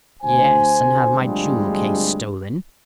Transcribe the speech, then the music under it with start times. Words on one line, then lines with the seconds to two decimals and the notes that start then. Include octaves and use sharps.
'Yes, and have my jewel-case stolen!
0.23 D2 C5 G#5
1.19 D2 G2 C3 F3 G3 G#3